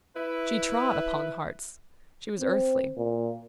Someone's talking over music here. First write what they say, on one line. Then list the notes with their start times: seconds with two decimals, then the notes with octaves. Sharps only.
She trod upon hearts. She was earthly.
0.16 E4 B4
2.41 C4
2.97 A#2